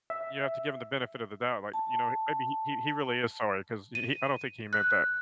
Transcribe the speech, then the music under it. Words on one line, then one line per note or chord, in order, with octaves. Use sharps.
you have to give him the benefit of the doubt, like, you know, he maybe he he really is sorry, 'cause he he I don't think he meant that.
E5
A5
D#7
F#6